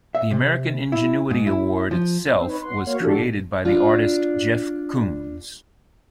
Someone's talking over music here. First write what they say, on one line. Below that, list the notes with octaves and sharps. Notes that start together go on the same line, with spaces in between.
The American Ingenuity Award itself was created by the artist Jeff Koons.
E5
C3
E4
G#2
E4
F3
C4
D#4 B4 C#5
F#5 C6
A#3 F#4 C#5 F5
E3 C#4 D4 F#4 G4 A4
A#2
D4 F4